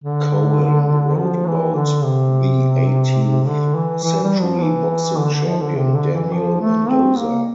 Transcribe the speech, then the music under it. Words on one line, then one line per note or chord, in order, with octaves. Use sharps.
Cohen wrote about the eighteenth century boxing champion Daniel Mendoza.
D3
F3
E3
D3
C3
D3
E3
E3
G3
F3
E3
D3
D3
F3
D3
C3
D3
E3
F3
A3
C4
A#3